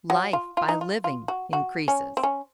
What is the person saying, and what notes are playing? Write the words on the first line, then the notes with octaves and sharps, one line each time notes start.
Life, by living, increases.
F#3
F4
F4
D#4
F4
F4
F#4
F#4
C#4
C4
C#4